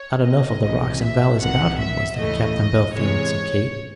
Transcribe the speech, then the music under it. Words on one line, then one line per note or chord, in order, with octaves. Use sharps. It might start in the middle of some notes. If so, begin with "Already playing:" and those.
"Not enough of the rocks and valleys about him, was there, Captain Bellfield?" said Kate.
Already playing: C#5
D#5
C2 C3 E3 G#3
E5
C2 C3 D#3 F#5
E5
D#2 C#3 E3 A3 D#5
E2 C3 E3 G#3 C#5